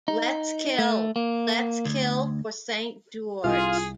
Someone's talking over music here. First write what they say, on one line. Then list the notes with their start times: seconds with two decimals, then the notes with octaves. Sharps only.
Let's kill, let's kill", "for Saint George!
0.08 D#4
0.79 A3
1.16 A#3
1.85 D2
3.44 C2 F4 G#4 F5